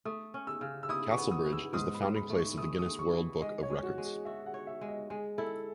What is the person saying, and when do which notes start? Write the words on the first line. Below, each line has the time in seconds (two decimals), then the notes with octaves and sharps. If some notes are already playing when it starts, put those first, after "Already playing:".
Castlebridge is the founding place of the Guinness World Book of Records.
0.05 A3 D#6
0.34 C#4
0.47 E6
0.61 C#3
0.83 E6
0.89 E4 D#6
1.11 C#6
1.18 B3
1.31 D#6
1.46 E4
1.53 E6
1.73 G#2 D#6
1.95 B5
2.01 G#2
2.16 B5
2.30 A3
2.36 C#6
2.58 A3 D#6
2.78 D#6
2.86 A3
2.99 C#6
3.13 E3
3.42 G#3 D#5
3.63 C#5
3.70 G#3
3.83 F#4
3.98 G#3
4.05 G#4
4.25 F#4 E5
4.46 F#5
4.54 C#5
4.67 E5
4.81 G#3
4.88 D#5
5.10 G#3 G#4
5.38 E4 A4